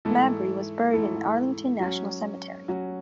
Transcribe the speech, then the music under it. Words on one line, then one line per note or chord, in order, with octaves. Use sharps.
Mabry was buried in Arlington National Cemetery.
G#2 E3 A3 E4 A4
G#2 E3 A3 E4 A4
F#3 C#4 F#4
F#3 C#4 F#4